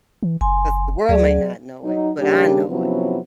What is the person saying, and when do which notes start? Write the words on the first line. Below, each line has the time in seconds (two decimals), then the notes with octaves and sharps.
'Cause the world may not know it, but I know it.
0.23 E3
0.41 F#1 G#5 C6
1.09 D2 F#3 G#4 D5
1.84 F#3 D#4
2.19 D#2 C#3 G3 D4 G4
2.69 C3 F3 F#3 B3 C#4 E4